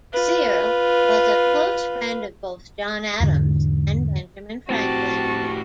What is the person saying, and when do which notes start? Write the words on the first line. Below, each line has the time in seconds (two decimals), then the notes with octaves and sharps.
Searle was a close friend of both John Adams and Benjamin Franklin.
0.13 F4 B4
3.20 E2 G#2 D3
4.70 A2 C4 F#4 G4 A5